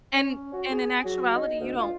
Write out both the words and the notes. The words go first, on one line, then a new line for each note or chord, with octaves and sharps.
and and in actuality, you don't
C#4
F#4
G#4
F#3
D#4
D2
F4